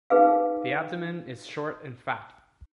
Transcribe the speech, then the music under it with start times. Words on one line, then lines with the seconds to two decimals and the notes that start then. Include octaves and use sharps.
The abdomen is short and fat.
0.10 D#4 G#4 B4 F5